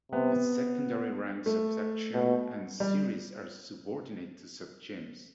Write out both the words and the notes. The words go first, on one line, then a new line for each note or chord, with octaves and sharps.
The secondary ranks of section and series are subordinate to subgenus.
C3 B3
A3
B2
G3